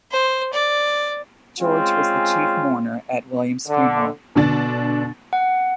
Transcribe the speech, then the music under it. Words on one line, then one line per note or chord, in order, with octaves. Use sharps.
George was the chief mourner at William's funeral.
C5
D5
G#3 C4 C#4 F4
D3
B2 D3 D4 A6
F#5